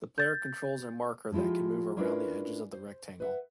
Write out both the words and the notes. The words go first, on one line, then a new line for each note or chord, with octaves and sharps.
The player controls a marker that can move around the edges of the rectangle.
G6 A6
F3 G#3 E4 F4 G4
C#4 D4 E4 F4 A#4 B4
C5
B4 E5 F#5